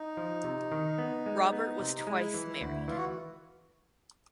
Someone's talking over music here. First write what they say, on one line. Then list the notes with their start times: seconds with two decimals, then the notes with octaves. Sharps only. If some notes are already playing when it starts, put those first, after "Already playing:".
Robert was twice married.
Already playing: D#4
0.17 F3
0.44 C3
0.72 D#3
0.98 B3
1.26 G#3
1.53 B3
1.80 C3
1.96 D#4
2.07 G#3 E4
2.34 E3
2.61 D2
2.88 E3 F4
2.97 F#4